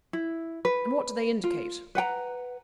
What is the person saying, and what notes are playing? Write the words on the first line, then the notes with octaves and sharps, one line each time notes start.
"And what do they indicate?"
E4
B4
F4
B4 F#5 G5 A#5